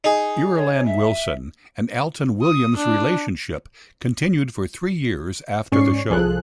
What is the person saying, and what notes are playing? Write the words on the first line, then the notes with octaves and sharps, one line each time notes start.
Irulan Wilson and Alton Williams' relationship continued for three years after the show.
D#4 G#4
C#5
E5
D#6
D4
G#2 C#4 D5 C#6 C7
C2 F3 G#4 A4 F#6